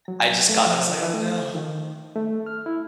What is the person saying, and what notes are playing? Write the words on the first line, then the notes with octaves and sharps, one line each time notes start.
I just got I was like, "Oh no."
F#3
A3
F3
D#5
A3
D#3
A3
F6
E4